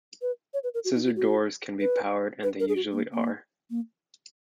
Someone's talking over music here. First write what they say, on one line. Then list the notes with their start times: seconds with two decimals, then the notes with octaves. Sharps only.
Scissor doors can be powered and they usually are.
0.22 B4
0.54 C#5
0.64 B4
0.74 A#4
0.85 F#4
0.96 D#4
1.06 F4
1.16 F#4
1.80 B4
2.43 B4
2.60 A#4
2.68 G#4
2.76 F#4
2.92 A#3
3.12 A#3
3.70 A#3